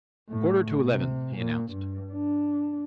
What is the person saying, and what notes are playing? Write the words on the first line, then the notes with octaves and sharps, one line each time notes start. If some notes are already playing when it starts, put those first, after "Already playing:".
"Quarter to eleven," he announced.
A2
C3
A#2
G2
D4